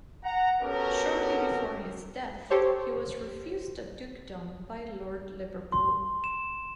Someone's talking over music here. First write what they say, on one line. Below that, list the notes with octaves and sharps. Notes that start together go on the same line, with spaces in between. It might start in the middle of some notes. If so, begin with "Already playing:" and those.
Shortly before his death, he was refused a dukedom by Lord Liverpool.
F#5 A#5
B3 C#4 F#4 G4 A4 A#4
G4 A4 C5 C#5
C6
E7